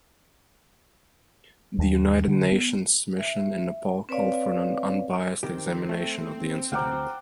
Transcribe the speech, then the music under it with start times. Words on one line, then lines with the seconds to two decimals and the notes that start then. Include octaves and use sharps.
The United Nations Mission in Nepal called for an unbiased examination of the incident.
1.79 D#2
2.27 D3
2.52 B3
3.19 E5
4.09 C4 B4 C#5 D5 F5
5.43 D#3 C4 G4
5.89 A3
6.72 D2 C5 D5 F#5 G5 A#5 F6